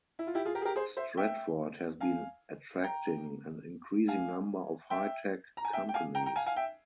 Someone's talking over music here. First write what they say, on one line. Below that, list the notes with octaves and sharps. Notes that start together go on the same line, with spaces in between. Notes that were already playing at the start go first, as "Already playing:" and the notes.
Stratford has been attracting an increasing number of high-tech companies.
E4
F4
E4 G4
F4 G#4
G4 A#4
G#4
G4 A#4
G#4 C5
C5 E5
E5 G5
F5 G#5
G5 A#5
F5 G#5
E5 G5
A#5
G#5
E5 G5
G5
F5 G#5
G5 A#5
G5 A#5
F5 G#5
F5 G#5
E5 G5